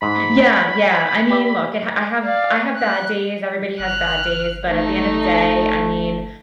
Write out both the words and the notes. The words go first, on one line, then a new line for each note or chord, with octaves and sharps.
Yeah, yeah, I mean, look, I ha I have I have bad days, everybody has bad days, but at the end of the day, I mean,
G#2 B5
C#5 F#5
G4 D5 E5
D5 F5
F#6
G1 F6 F#6
A3 D#4